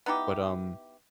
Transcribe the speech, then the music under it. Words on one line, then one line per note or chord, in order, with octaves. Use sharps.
but um,
B3 D#4 E4 G4